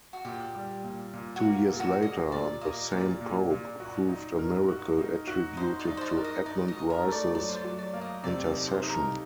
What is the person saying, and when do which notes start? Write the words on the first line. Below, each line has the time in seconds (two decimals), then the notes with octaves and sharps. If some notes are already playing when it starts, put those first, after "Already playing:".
Two years later, the same Pope approved a miracle attributed to Edmund Rice's intercession.
0.13 F#4
0.25 A#2 G4
0.55 G3
0.84 A#2
1.13 A#2
1.36 F#4
1.44 A#3
1.73 A#2
1.80 F#4
2.02 A#2 D#5
2.32 A#2 D5
2.61 A#3 D#5
2.91 A#2 D5
3.21 A#2
3.50 A#2
3.80 F#4
4.09 D#4
4.38 A#4
4.68 F#4
4.98 D#4
5.27 F#4
5.57 D#4 C5
5.79 D5
5.87 D#4
5.97 C5
6.01 D5
6.17 A#4
6.24 D#5
6.46 D#4 D5
6.68 D#5
6.75 F#4
6.90 A#4
7.05 A3
7.12 D5
7.34 F#3 D5
7.49 C5
7.57 D5
7.64 F#3
7.79 D5
7.94 A#3
8.01 D#5
8.23 C3 D5
8.45 D5
8.53 D#4
8.68 C5
8.83 D#4
8.90 A#4